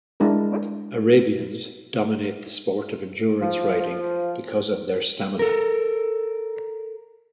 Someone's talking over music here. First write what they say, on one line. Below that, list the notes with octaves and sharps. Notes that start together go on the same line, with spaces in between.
Arabians dominate the sport of endurance riding because of their stamina.
G#3 D4 E4 A#4
F3
F3
A4 A#4